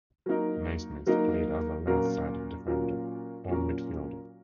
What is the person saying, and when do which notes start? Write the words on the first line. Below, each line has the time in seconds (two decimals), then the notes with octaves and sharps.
Naysmith played as a left-sided defender or midfielder.
0.26 F#3 A#3 D#4 A#4
1.06 F#3 A#3 D#4 A#4
1.87 A#2 F#3 C#4 F4 A#4
2.67 A#2 F#3 C#4 F4 A#4
3.48 A#2 F#3 C#4 F4 A#4